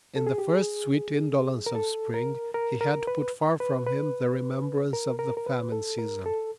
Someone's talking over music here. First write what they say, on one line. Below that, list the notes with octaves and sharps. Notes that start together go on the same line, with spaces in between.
In the first sweet indolence of spring he had put far from him the remembrance of the famine season.
A4
G#4
G4
G#4
A#4
A4
A#4
A#4
A#4
B4
B4
B4
A#4
A#4
A#4
B4
A4
A#4
A4